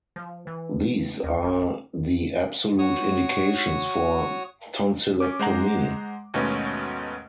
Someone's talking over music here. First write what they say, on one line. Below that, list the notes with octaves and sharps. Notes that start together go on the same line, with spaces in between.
These are the absolute indications for tonsillectomy.
F3
E3
D#2
A#1
F#4 C#5 C#6 D#6
C#4 D6
G#3 C5 F#5 A#5
D#2 G#2 B2 A3 B3 C#4